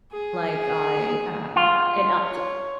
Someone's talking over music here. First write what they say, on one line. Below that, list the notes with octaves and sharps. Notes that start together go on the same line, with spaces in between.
like, I, uh an update.
G#4
F4
C#5